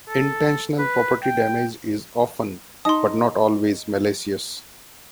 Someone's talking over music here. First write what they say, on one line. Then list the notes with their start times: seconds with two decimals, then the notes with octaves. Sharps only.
Intentional property damage is often, but not always, malicious.
0.08 A4
0.78 B4
1.23 G5
2.85 D#4 D#5 A5 C6 D#6